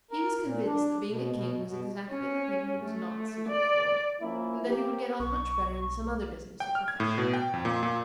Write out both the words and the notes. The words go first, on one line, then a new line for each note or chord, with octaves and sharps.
He was convinced that being a King was exactly the thing he was not suited for, and that he would get on much better in some other business or profession.
A#4
A#2
D4
B2
B2
F#2
B2
C#4
A3
D5
F3 A#3 C#4 E4
A#3 G4
B1 C#6
G5
F6
G#6
A2
B2
G5
F2
A#2
A#2